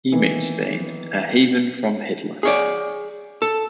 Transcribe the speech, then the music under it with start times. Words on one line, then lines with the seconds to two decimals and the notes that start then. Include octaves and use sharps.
He made Spain "a haven from Hitler".
0.12 D#3 E3 A#3 B3
2.43 G#4 C#5 D5
3.42 A4